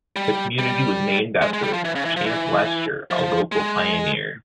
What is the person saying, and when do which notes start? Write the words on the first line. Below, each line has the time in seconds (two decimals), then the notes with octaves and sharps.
The community was named after Champ Lester, a local pioneer.
0.16 G3
0.58 G3
1.42 G#3
1.53 G#3
1.63 G3
1.73 F3
1.85 E3
1.95 C#3
2.05 E3
2.16 F3
2.26 E3
3.11 F3
3.52 G#3